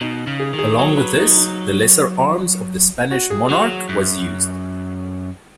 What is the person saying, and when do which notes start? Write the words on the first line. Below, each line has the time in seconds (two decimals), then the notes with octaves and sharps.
Along with this, the lesser arms of the Spanish monarch was used.
0.01 B2 D#4
0.27 C#3
0.40 G#4
0.53 D#3
0.59 G#4
0.79 F#3 C#5
0.97 B4
1.18 D#4
1.37 D#4
3.11 F#4
3.30 G#4
3.50 F#3 F#4
3.69 F#4
3.89 F#2